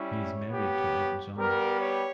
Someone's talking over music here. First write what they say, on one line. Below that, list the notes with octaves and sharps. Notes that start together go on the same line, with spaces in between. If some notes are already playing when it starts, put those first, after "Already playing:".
He is married to Elton John.
Already playing: G3 C#4 E4
C#5
B3 G4
G3 B3 G4 A#4
C#5